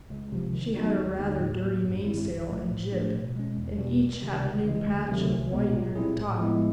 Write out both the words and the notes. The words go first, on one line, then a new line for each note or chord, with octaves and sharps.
She had a rather dirty mainsail and jib, and each had a new patch of white near the top.
C#2
C3 F3
D#3
F#3 B3 D#4 F#4
D#2
D3 G3 A#3 D#4
A2
F#3 A#3
G2
D#3 G3 C4 E4
C2
A#2 F3 A3
A2
F3 A3 D4
B2
G#3 C#4
E2
B2 G3
C#2
C3 D#3
C#2
C#3 E3 G#3
D2
C3 D#3 F#3 A3
C2
B2 G#3 B3
A#2
G3 C4 E4 G#4
A2
F3 G#3 B3 E4